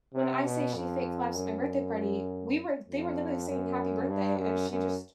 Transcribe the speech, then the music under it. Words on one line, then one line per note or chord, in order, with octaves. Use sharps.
when I say she fake collapsed at my birthday party, we were they were literally singing happy birthday and she just
C3
B2
F2
F#2
F2
F#2
G2
F#2
F#2